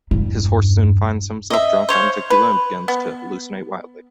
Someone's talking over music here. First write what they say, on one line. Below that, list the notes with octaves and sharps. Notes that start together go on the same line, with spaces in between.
His horse soon finds himself drunk on tequila and begins to hallucinate wildly.
E1 G2
D#5 E5
C5 C#5 D#5 F5
B4
B3